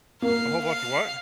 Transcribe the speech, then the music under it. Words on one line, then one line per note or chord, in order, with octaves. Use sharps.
A whole bunch of what?
A#3 F5
F5